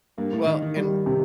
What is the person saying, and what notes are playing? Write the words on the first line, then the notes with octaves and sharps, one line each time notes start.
Well and
G2 A#3
A2
D#3 D#4
D#3
G3
C3